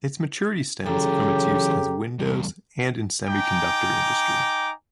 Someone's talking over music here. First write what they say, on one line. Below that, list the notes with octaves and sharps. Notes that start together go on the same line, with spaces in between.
Its maturity stems from its use as windows and in semiconductor industry.
C#3 E3 F#3 G4 A4 A#5
E2 G3
D#4 G5 G#5 A#5 D6